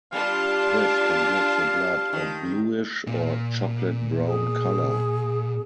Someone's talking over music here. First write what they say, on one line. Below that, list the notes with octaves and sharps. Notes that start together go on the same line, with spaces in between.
This can give the blood a bluish or chocolate-brown color.
G3 D4 F4 F5 A5
D#3
A#2
G#4